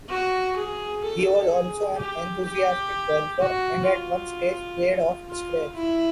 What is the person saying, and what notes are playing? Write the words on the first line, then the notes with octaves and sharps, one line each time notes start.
He was also an enthusiastic golfer, and at one stage played off scratch.
F#4
G#4
A4
G#4
G4
G4
F#4
F4
F4
E4